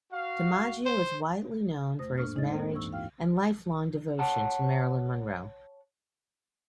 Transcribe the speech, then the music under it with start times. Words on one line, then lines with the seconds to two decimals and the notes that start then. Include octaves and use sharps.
DiMaggio is also widely known for his marriage and lifelong devotion to Marilyn Monroe.
0.11 F#4 F5
0.86 C5
1.99 F2 A3 C5 D#6 A#6
2.18 A2 A#3 D4 C#6 D#6 F6
2.36 G#3 D#4 D5 D#5 A6
2.50 A#3 C4 D#4 A4 C5 G5
2.73 D2 G2 E3 C#6 E6
2.91 E4 F#4 F5 G5 F6
4.19 C#5 F#5 A5